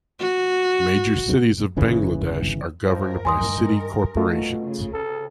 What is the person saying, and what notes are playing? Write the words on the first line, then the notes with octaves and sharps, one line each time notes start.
Major cities of Bangladesh are governed by City Corporations.
F#4
G1 C#3 E3
G2 F3 A#4
D#3 G#5 C6 D#6
B2 A3 F4
C#3
A4